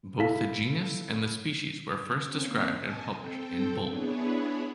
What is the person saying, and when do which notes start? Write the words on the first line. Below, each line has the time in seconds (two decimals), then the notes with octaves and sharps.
Both the genus and the species were first described and published in Bull.
0.18 E4 A4 F5 B6
2.23 A#3 C4 C#4
2.70 D#5 G#5 A5
3.12 C4 A4 G5
3.83 B3 D4 E4 G#4 B4 C#5